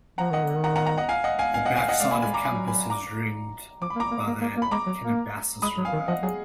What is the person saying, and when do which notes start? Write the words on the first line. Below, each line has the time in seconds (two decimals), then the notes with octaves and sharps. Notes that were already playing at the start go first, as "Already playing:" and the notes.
The back side of campus is ringed by the Kennebecasis River.
0.18 F3 F#5 A#5
0.31 D#3 D#5 F#5
0.44 D3
0.56 D#3
0.64 F#5 A#5
0.76 F#5 A#5
0.86 F#5 A#5
0.98 D#5 F#5
1.09 F5 G#5
1.24 D#5 F#5
1.39 F5 G#5
1.54 F5 G#5
1.65 D#5 F#5
1.77 F5 G#5
1.88 D#5 F#5
2.00 G#3 D5 F5
2.11 A#3 G#5 B5
2.22 G#3 G#5 B5
2.34 A#5 D6
2.45 F#3 G#5 B5
2.68 G#5 B5
2.90 A#5 D6
3.81 F3 D6
3.90 B5
3.96 A#3
4.00 A#5 D6
4.11 A#3
4.27 A#3
4.41 A#3
4.57 A#3
4.62 B5
4.71 G#3 A#5 D6
4.86 F#3
5.02 A#3
5.62 G#3 B5 D#6
5.77 F#3
5.85 F5 G#5
5.93 D#3
6.08 F3 D#5 F#5
6.22 F#3 G#4